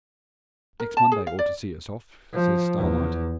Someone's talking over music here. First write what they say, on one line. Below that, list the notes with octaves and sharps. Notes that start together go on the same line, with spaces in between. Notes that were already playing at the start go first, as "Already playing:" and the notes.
'Next Monday ought to see us off,' says Starlight.
A#4
A5
G#4
F5
D5
F3
E2